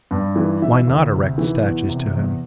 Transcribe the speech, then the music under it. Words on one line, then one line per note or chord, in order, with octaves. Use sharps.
Why not erect statues to him?
G2
E3
E3 E5
D2
C3
E3
E2
C3
E2